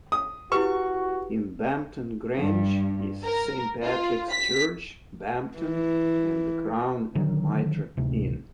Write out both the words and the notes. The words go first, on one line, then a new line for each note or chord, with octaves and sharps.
In Bampton Grange is Saint Patrick's Church, Bampton and the Crown and Mitre Inn.
D#6
E4 F#4 G4 B4 C#6
G2
A#4
F4
B6
E3
D3 D#3 F#3
A1 D2 C3